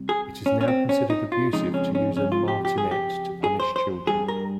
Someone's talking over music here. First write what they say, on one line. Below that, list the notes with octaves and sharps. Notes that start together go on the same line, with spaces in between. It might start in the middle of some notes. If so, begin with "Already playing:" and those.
It is now considered abusive to use a martinet to punish children.
Already playing: C3 G3
G#4
C#4
C#4
C4
C#4
D#4
F4
F2 C#3 G#3 D#4
C#4
C#4
C#4
F4
G4
G4
G#4
G4
G#4
C5
C5
G2 G3 G#4
A#4